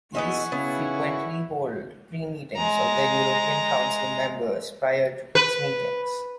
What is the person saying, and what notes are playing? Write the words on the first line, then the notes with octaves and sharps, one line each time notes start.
These frequently hold pre-meetings of their European Council members, prior to its meetings.
E2 B3 D#5 E5 F#5 G#5 C#6
C#3 B3 E4
G#3 A#5
B4